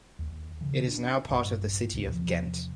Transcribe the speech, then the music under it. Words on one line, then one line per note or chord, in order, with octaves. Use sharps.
It is now part of the city of Ghent.
D#2
C#3 E3
D4
A#1 G2
C#2 B2
E2 C3 D#3 F3